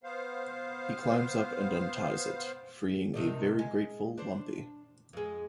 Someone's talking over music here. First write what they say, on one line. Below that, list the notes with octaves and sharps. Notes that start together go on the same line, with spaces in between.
He climbs up and unties it, freeing a very grateful Lumpy.
B3 C5 F5
C3 D#3 D4
G#3
D4 C5
F2 G#3